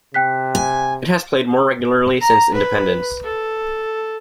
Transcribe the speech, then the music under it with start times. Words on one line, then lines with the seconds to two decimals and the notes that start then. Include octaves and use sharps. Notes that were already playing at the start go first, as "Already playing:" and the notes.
It has played more regularly since independence.
0.14 C3 G5 F#6 B6
0.55 G#5
2.21 A#5
2.54 B4
3.23 A4